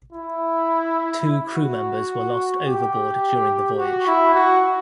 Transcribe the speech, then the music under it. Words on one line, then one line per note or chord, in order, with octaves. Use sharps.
Two crew members were lost overboard during the voyage.
E4
F#4
G4
F#4
E4
F#4